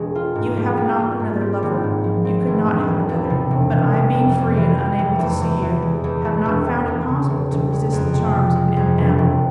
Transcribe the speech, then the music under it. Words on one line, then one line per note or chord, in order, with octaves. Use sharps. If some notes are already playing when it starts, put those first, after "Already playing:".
You have not another lover; you could not have another; but I being free and unable to see you, have not found it possible to resist the charms of M---- M----.
Already playing: E1 G#3
F4
G#2
G3
A#3
F4
G#2
C4
G#1
G#2
F3
C4
G#1
E1
E1
E2
C3
E1
E1
G3
F1
F2
E3
G3
F1
E2
E2
E3
G#3
E2
E2
E1
E1
E2
C#3
E1
E1
G#3
F2
C3
F3
G#3
F2
E1
E1